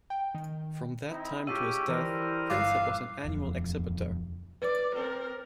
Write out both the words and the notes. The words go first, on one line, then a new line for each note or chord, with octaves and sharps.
From that time to his death Prinsep was an annual exhibitor.
G5
D#3
C4 D#4 E4
G#3 C#4 F4 G4 A4 F5 E6 D#7
E3 G3 A#4 C5
G1 F5 D6 F#6 C7
D#1 F2
B4 D5
C4 A#4